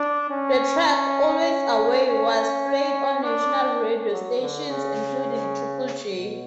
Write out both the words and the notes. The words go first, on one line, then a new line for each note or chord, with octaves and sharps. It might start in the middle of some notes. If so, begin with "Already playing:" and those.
The track, "Always Away", was played on national radio stations including Triple J.
Already playing: D4
C#4
C#4
D4
C#4
F#3
D3
C#3
B2